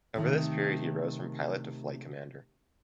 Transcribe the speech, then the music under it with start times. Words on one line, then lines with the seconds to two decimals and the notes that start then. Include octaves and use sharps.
Over this period he rose from pilot to flight commander.
0.16 C3 D#3 A3